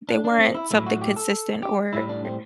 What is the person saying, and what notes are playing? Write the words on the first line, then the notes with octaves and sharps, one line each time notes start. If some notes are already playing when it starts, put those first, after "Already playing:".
they weren't something consistent or r
D4
D4
C4
E4
A2 F#3 A3 E4
F#4
G4
A4
G4
A2 G3 E4
D4
C4